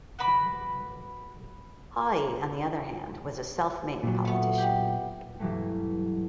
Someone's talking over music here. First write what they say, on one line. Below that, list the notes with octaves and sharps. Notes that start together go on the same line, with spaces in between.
Haughey on the other hand was a self-made politician.
F#4 B4 B5 D6
A#2 F#3
A3 B3
G4
G2 B2 E3 F#3 G3 A3